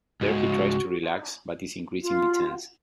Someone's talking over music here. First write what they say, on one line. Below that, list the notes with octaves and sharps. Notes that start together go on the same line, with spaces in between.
There he tries to relax but is increasingly tense.
C#2 G#2 F#4
F4